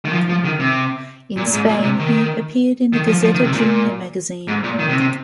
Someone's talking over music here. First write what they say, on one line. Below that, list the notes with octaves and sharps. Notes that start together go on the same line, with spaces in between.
In Spain, he appeared in the “Gaceta Junior” magazine.
D#3
F3
F3
D#3
C3
A#2
G#2
A#2
C3
D#3
D#3
F3
F3
D#3
C3
A#2
G#2
A#2
D#3
C3
C3